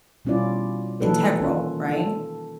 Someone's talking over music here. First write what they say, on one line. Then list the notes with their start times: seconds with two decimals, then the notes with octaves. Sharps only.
integral, right?
0.25 B2 G3 C#4 E4 F4 D5
1.00 D#3 E3 A#3 D#4 A4 B4
1.41 D#3 C#4 F4
1.90 A4